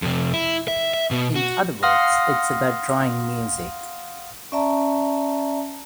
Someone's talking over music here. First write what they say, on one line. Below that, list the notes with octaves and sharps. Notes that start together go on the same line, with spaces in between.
In other words, it's about 'drawing music'.
F2 C3
E4
E5
E5
B2 B3
F#4
F5 F#5 C6 D#6 F6 A#6
C#4 D5 E5 A5 A#5